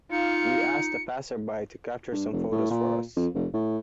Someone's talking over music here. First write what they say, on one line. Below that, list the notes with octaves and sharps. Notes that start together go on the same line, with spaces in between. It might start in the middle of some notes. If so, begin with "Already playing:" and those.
We asked the passer-by to capture some photos for us.
D#4 F4 F5 C#7
G2
F1
A2
A#2
F2
F1
A2